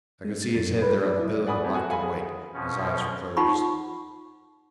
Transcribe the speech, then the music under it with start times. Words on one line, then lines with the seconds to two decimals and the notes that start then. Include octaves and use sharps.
I could see his head there on the pillow, black and white, and his eyes were closed.
0.25 G#3
0.42 A6
0.56 F#2
0.70 G2
0.82 B4
1.05 D5
1.19 E4
1.46 D5 F#5 G#5 B5 D#6
1.63 E1 F2
1.74 F#4 F#5 G#5
1.89 A4 F5 F#5 G#5 B5
2.03 G#4
2.53 F2 B2 C#4
3.37 D#4 F4 F#5 B5 C#6